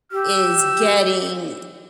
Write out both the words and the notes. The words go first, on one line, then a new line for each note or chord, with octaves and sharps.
is getting
G4 E6